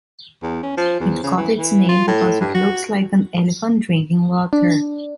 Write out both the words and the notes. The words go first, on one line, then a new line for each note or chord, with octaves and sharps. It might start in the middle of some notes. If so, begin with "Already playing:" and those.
It got its name because it looks like an elephant drinking water.
E2
C#4
F3
E2
C#3
E3
E3
F4
A2
G2
F#4
D4